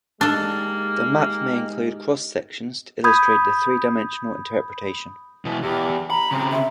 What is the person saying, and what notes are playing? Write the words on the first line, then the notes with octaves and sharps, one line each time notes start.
The map may include cross sections to illustrate the three-dimensional interpretation.
G#3 A#3 D4 D#4 G4 A4
B5 D#6 G6 G#6
B2 E3
E2 G4
A#5 B5
C#3 C4
E5